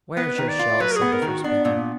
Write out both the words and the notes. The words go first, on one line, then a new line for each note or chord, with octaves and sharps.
"Where's your shells?" said the first speaker.
B3 B4
D#3
D5
F4
F#3 B4
A#4
G#4
B3
A#4
D#3
F#4
B3 D4
A#2
B3